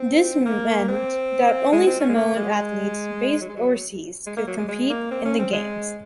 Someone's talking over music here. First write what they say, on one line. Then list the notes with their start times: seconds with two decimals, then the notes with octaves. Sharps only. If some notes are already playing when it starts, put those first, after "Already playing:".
This meant that only Samoan athletes based overseas could compete in the games.
Already playing: C4
0.46 A#3
0.88 C4
1.72 G#3
1.86 C4
2.01 C#4
2.09 G#3
2.15 A#3
2.37 G#3
3.41 F#3
3.49 G#3
3.57 F#3
4.26 G#3
4.37 A#3
4.47 F#3
4.58 G#3
4.68 G#3
4.90 A#3
5.11 C4
5.25 C#4
5.39 C4
5.53 G#3